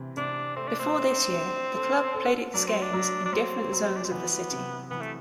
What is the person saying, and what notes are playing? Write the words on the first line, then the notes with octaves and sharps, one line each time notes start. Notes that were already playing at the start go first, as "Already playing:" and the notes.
Before this year, the club played its games in different zones of the city.
Already playing: C3 E3
C3 D4
A3 C4
D4
C4
D4
D4
A4
A4
F#3 D4
C4
D4
F#3
D4
F#3 C4
F#3
D4
C4
E3 B3
C3
E3 B3
A3